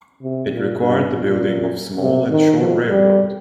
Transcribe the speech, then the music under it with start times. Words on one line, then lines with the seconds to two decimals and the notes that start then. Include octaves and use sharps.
It required the building of small and short railroad.
0.23 C3
0.52 A#2
0.81 G2
1.11 A#2
2.00 C3
2.30 D#3
2.59 F3
2.88 G3